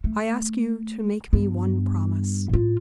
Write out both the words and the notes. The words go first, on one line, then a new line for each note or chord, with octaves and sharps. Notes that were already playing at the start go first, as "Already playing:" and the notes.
I ask you to make me one promise.
A3
G2 B3
A2 F4